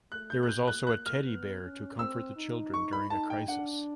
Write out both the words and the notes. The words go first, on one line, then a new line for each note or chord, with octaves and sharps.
There is also a teddy bear to comfort the children during a crisis.
A3 F#6
G6
F#6
A#3 G6
F#6
F#6
F6
B3
C#4
C4 E6
D#4
C#6
B5
D#4 A5
G5
D4 F#5